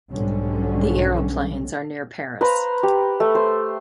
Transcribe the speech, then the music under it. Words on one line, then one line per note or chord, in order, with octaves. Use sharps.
The aeroplanes are near Paris.
B1 G#2 D3 G3 C#4
B4 C5 F5 A#5
G4
A3
C5